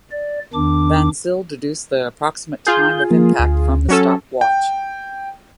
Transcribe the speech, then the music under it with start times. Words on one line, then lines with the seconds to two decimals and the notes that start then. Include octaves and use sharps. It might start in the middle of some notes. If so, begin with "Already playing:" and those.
Van Zyl deduced the approximate time of impact from the stopped watch.
0.12 D5
0.54 E2 D#3 D4 D6
2.67 F4 G#4 G6
3.11 F3 A#3
3.39 D2
3.88 F#3 C#4 A4
4.41 G5